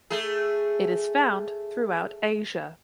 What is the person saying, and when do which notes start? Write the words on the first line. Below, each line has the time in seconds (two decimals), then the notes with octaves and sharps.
It is found throughout Asia.
0.10 A3 G#4